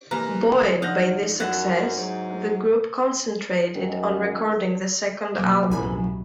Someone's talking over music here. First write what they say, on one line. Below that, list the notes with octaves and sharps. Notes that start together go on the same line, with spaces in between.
Buoyed by this success, the group concentrated on recording the second album.
C3 E3 G#3 A#3 B4 F5 A#5
D#3 F3 D4 F5 F#5 D#6 G6 A#6
F#2 E4 G#4 F#5
G#2 F#3
F#2 D#3
B2 F#3 A#3 B4 D6
C2 F#2 A2 G#5 B5